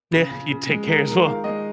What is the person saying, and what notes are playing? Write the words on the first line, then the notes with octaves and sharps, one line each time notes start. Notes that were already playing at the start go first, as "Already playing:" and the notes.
Yeah, you take care as well.
C#3
C#3
C#3
G#3
G#3 A#4
D#3 A#4
D#3 F5
G#3 D#5